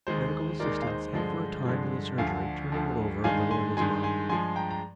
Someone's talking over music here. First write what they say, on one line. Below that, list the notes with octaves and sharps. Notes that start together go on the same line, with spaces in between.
The medical assistant sat for a time in the surgery turning it over a little in his mind.
D#2 D#3 G#3 C5
D#2 D#3 G#3 A#4 D5
F5
C5 D#5
G2 D3 F3 G#3
G2 D3 F3 G#3
D2 D3 F3 F5 G#5
D2 D3 F3
G2 D#3 G#3 F5 G#5
G#5 C6
G2 D#3 G#3 G#5 C6
G#5 C6
G2 F3 G#3 G#5 C6
G5 A#5
A#5